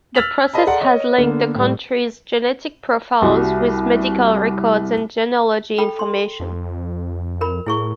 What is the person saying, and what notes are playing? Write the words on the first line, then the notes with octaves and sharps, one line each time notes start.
The process has linked the country's genetics profiles with medical records and genealogy information.
E6 F6 A6 B6 F7 F#7
A#4 C5 D5 D#5 A5 B5
G#4 A4 D5 F#5 A#5 C6
C#5 D#5
D3 A#3 B3
A2 G3
C2 G3 F#4
A4 G5 B5
C6
F2
A#4 B5
A2 E4 G#4 C#6